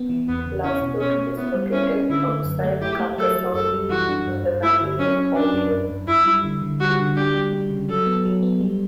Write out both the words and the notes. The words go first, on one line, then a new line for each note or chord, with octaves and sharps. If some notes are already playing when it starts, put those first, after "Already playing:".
Lastours is located outside Carcassonne, in the valley of the Orbiel.
Already playing: B3
E3
E2 B3
C#3
C#4 E4
B2
B2 C#4
A3
B3 E4
G3
C#4 E4
C#4
D3 E4
A3
F#2
A3
E4 G4
A3
F#3 A4
F#3
F#2 A4
G3
E3 F#4
D4
G2
G2
A3 E4
D3
F#3 C#4
C#4
F#3 D4
F#2
F#2
F#2
F#2 E4
G3
D3
D3
G3 F#4
D3
D4 G4
G3
G3
C#3
F#3 A4
B3
F#3
B3
G3